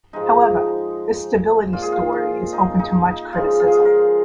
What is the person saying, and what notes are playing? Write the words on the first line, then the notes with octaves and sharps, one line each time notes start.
However, this stability story is open to much criticism.
G#2 F3 G#3 D#4
A#2 G#3 F4
G#4
F4
F4
D#4
D#4
D#4
C#3 F3 G#3 F4
F4
G#4
F4
A#4